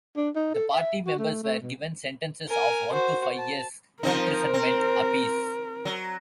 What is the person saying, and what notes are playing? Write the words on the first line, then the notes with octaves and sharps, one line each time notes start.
The party members were given sentences of one to five years' imprisonment apiece.
D4
D#4
A4
E5
F#4
A3
A3
B2
A#4 G#5
F#4 C5
A5
F3 C4 D#4 A#4
C4
F#3